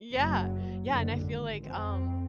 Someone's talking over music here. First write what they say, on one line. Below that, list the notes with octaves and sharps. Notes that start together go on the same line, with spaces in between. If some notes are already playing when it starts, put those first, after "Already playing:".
Yeah, yeah, and I feel like, um,
F#1 F#3
F#1 D3
G#1
F2 C4